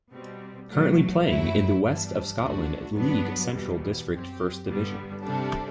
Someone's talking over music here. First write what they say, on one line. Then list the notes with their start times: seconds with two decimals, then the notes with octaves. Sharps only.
Currently playing in the West of Scotland League Central District First Division.
0.12 B2 G3 C4
0.69 B2 F#3 A3
1.26 F#2 F#3 A3 E4
1.83 G2 E3 G3 B3 D4
2.40 D2 D3 A3 D4 F#4
2.96 G2 F#3 B3 D4
3.53 E2 B2 G3
4.10 F#2 F#3 C4 G4
4.66 G2 D3 G3 B3
5.23 C3 G3 D4 A4